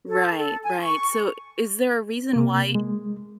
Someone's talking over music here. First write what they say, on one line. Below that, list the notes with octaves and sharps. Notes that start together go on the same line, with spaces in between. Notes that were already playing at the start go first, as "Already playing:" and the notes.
Right, right, so is there a reason why
A4
A4
G#5
C#6
C3 A#3
G#3